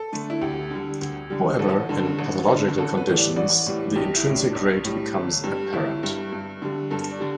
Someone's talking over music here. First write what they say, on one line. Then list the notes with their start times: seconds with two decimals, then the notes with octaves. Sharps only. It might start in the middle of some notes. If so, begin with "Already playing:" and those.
However, in pathological conditions, the intrinsic rate becomes apparent.
Already playing: A4
0.12 D3 A3
0.30 E4
0.41 D2 G4
0.71 D3 G3
1.01 D2
1.30 D3 G3
1.59 A1 A4
1.89 G2 D3
2.19 A1
2.48 G2 D3
2.78 A1 A4
2.97 B4
3.08 A2 E3 G3
3.18 D5
3.36 A1 D5
3.66 A2 E3 G3
3.96 B1 G4
4.16 E4
4.25 A2 G3
4.35 D4
4.55 B1
4.85 A2 G3
5.14 G1
5.44 G2 G3
5.73 G1 E4
6.02 G2 G3
6.32 G2
6.62 D3 G3
6.91 G2 A4
7.11 D5
7.20 D3 G3